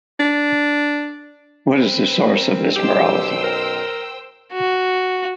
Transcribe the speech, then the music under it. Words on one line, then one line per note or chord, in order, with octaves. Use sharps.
What is the source of this morality?
D4
C4 B4
A#4
B1 F#2 B2 G4 C5 G5 E6
A#4
F#4